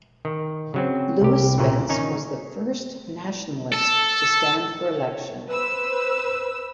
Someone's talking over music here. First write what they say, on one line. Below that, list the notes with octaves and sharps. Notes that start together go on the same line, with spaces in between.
Lewis Spence was the first nationalist to stand for election.
D#3
C#3 F#3 C4
C2 G4
A#2 C#3 E3
D#3 C#4 D#4 C#5
A4
C#5
B4 C5 E6